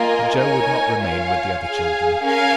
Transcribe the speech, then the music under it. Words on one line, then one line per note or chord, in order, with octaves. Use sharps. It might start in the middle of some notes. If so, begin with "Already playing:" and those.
But Joe would not remain with the other children.
Already playing: A#3 F4 A#4 D#5 G#5
D#4 A#4 C#5 G#5
F4 C#5 F5 G#5
G#4 F5 G#5
C#4 A#4 F5 G#5